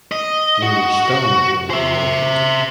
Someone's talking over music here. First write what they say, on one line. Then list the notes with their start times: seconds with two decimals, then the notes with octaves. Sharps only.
We were stoned when we wrote it.
0.12 D#5
0.62 F#4
1.70 C5 E5